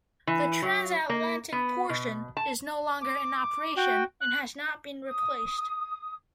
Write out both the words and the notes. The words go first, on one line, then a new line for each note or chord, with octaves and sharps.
The transatlantic portion is no longer in operation and has not been replaced.
E3
F#3
A#3
B3
B2
A5
D6
F#4 G5
F#6
D#6